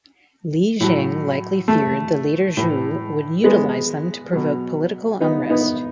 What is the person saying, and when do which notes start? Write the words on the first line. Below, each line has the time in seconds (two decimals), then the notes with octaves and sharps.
Li Jing likely feared the Later Zhou would utilize them to provoke political unrest.
0.80 A2 F#3
1.68 A3
2.57 A2 E3
3.44 G#3 B3
4.33 B2 F#3
5.20 B3 D#4
5.50 B3 D#4